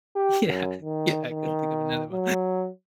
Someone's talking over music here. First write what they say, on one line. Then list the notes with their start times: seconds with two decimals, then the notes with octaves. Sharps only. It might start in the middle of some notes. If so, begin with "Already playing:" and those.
yeah, yeah, I couldn't think of another one,
0.16 G4
0.46 F#2
0.82 D#3
1.29 D#3
2.12 F#3